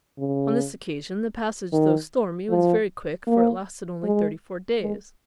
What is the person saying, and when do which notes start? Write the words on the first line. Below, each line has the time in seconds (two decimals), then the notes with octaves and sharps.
On this occasion the passage though stormy was very quick, for it lasted only thirty-four days.
0.19 C#3
1.73 D#3
2.50 F3
3.27 A#3
4.04 G#3
4.81 G#3